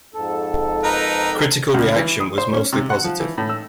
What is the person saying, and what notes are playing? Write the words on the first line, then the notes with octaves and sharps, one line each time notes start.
Critical reaction was mostly positive.
F2 G#2 A4
D#4 A#4 B4
C#2
E3
D#6
C5
C#4
C3
F#5
F3
E3
A2
E6